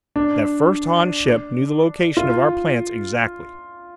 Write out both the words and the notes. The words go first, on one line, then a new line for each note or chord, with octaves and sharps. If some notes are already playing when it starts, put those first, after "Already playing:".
That first Han ship knew the location of our plants exactly.
D4
F4